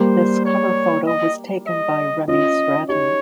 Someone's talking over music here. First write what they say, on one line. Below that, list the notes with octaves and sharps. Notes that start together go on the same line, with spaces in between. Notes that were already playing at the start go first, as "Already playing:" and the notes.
This cover photo was taken by Remy Stratton.
Already playing: G3 A#3 C5
C#5
D#5
D#5
C#4 F4 D#5
D#4 G4 C#5